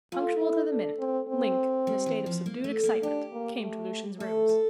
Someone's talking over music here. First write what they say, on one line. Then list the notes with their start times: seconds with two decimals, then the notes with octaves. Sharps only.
Punctual to the minute, Link, in a state of subdued excitement, came to Lucian's rooms.
0.12 A3 F4
0.42 E4
0.70 D4
0.99 C4
1.29 C4
1.87 G3
2.06 E3
2.26 F3
2.46 A#3
2.64 A3
2.83 A#3
3.03 D4 G4
3.32 A#3
3.61 A3
4.19 A3 A4
4.49 A4